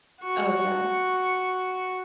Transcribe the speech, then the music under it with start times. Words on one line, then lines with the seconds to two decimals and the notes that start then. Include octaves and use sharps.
Oh, yeah.
0.22 F#4 C#6